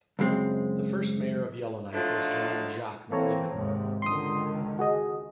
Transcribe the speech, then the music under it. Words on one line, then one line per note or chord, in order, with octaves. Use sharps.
The first mayor of Yellowknife was John "Jock" McNiven.
C#2 F#2 G#3 C4
D3 F3 F#3 A3 D#4 F4
E3 A#3 C4 A4 C#5 A#5
D#2 G#2 C3
C#2 D3 D#3 C6 D#6
F#4 G#4 D#5